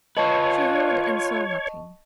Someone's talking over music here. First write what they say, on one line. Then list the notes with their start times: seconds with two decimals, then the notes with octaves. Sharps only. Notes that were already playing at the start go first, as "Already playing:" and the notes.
She heard and saw nothing.
0.17 F4 B4 C#5 D#5 A5 C#6